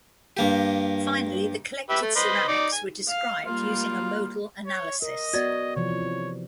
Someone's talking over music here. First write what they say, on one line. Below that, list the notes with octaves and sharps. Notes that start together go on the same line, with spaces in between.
Finally, the collected ceramics were described using a modal analysis.
G2 A#3 G4
G4 B4 E5
A3
B4 C5 D#5
D#4 D5
G#5
F5
G3 A#3 F4
C#5
A#4 D#5
B3 F#4 D5 G#6
C3 E3 F3 C#5